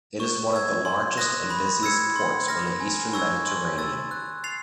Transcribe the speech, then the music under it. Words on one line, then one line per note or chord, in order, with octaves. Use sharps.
It is one of the largest and busiest ports on the Eastern Mediterranean.
C#6
E6 G#6
C6
D#6 F#6 A#6
B5
E6 G#6 C#7
C6
F6 A#6
G#5
C#6 E6 G#6
C6
E6 A6
F#6
A6 C7 F7